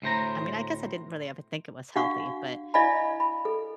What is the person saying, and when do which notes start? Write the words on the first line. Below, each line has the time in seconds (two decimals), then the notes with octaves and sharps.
I mean, I guess I didn't really ever think it was healthy, but
0.02 D2 A2 C5 A#5
1.96 D4 F#4 F5 F#5 C#6
2.74 E4 D5 D#5 F5 G#5 B5
3.20 B5
3.45 A4